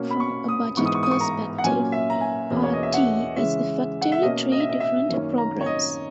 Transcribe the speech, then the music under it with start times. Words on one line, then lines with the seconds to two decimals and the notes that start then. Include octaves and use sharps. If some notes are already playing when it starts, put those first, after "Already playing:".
From a budget perspective, Part D is effectively three different programs.
Already playing: B2 A#3 C#4
0.11 B5
0.20 C#6
0.48 D#6
0.77 G#2 E3 B3 C#6
0.86 D#6
0.95 C#6
1.03 D#6
1.11 C#6
1.21 A#5
1.58 F#5
1.64 A#2 F#3 A#3 C#4 G#5
1.92 E5
2.10 A#5
2.21 G#5
2.50 E2 B2 A#3 C#4
2.63 C#5
2.73 D#5
2.83 E5
2.94 F#5
3.36 C#3 E3 G#3 C#4 E5
4.01 F#5
4.12 E5
4.22 B2 A#3 C#4 D#5
4.52 D#5
4.60 E5
4.69 D#5
4.80 E5
5.09 F#2 D#3 A#3 C#4
5.38 A#5
5.61 C#5
5.66 D#5